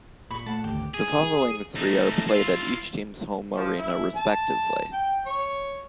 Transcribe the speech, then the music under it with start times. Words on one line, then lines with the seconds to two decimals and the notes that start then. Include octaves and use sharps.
The following three are played at each team's home arena respectively.
0.31 F1 A#2 B5 C#6
0.46 A3 F#5 A5
0.64 G#1 D2 G4
0.94 G#4
1.76 A3 D#4
2.29 E4 F4
3.56 F3
3.78 E4
4.15 A5
4.93 G5
5.26 C#5